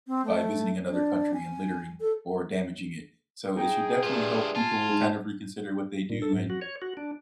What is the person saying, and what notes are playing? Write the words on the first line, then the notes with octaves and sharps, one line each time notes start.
by visiting another country and littering or damaging it. So it should definitely help people kind of reconsider what they do and,
C4
A3
D4
G#5
A4
D#4 G#4 G5
G2 A3 F4
F4 G#5 A5
G#2
A#2
A4
G#2
F#4
C#5
F#4
D4